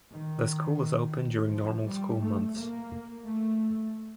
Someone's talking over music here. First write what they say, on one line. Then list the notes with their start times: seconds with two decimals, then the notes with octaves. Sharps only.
The school is open during normal school months.
0.12 D#3
1.52 F3
1.86 G3
2.22 A3
2.57 A#3
3.27 A3